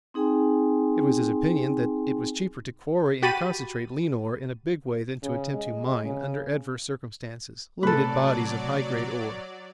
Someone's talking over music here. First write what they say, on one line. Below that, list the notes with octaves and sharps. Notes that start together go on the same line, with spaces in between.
It was his opinion that it was cheaper to quarry and concentrate lean ore in a big way than to attempt to mine, under adverse circumstances, limited bodies of high-grade ore.
C4 D#4 G#4 G5 G#5 C6
F#4 G4 B5 A6 D#7
C#3
G#3
C#3
A2 C3 F#3 A3 A4 B4 D5